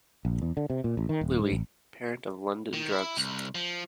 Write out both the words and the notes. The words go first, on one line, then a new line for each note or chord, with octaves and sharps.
Louie, parent of London Drugs.
A#1
E2
D3
C3
A#2
A1
D#3
D#1
G#2
A1
D#3
E4
C2
F3